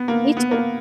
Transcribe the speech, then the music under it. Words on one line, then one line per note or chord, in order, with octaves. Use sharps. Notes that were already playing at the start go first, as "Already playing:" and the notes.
Me too.
Already playing: B3
A#3
B3
A#3